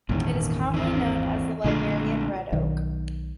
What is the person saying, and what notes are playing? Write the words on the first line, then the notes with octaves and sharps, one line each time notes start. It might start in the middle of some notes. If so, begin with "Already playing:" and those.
It is commonly known as the Liberian red oak.
G#1 E2 A#2 D#3 C#4
E3 C4
A#1 D3 G#3 A3 D4 F4
B1 D#3